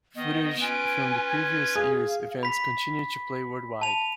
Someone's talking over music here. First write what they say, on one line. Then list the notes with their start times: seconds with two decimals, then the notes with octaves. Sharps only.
Footage from the previous years events continued to play worldwide.
0.16 D#3 B3 D#5
0.60 C#4 F4 B4 G#5 D7
1.29 G#6
1.76 G#4 F5
2.43 B5 B6
3.81 A5 F7